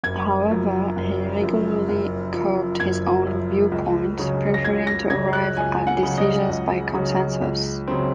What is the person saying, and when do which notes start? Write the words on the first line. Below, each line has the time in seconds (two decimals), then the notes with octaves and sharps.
However, he regularly curbed his own viewpoints, preferring to arrive at decisions by consensus.
0.03 F#1 G#6
0.50 F#2 F3
0.96 F#1
1.41 F#2 F3
1.88 F#1
2.33 F#2 F3
2.80 F#1 G#6
3.27 F#2 F3
3.72 C#2
4.18 C#3 F#3
4.54 A#6
4.64 C#2 G#6
4.87 A#6
5.10 C#3 F#3 G#6
5.33 F#6
5.57 C#2 G#5
5.87 F#5
6.03 C#3 F#3
6.18 D#5
6.49 C#2
6.94 C#3 F#3
7.42 C#2
7.88 C#3 F#3 C4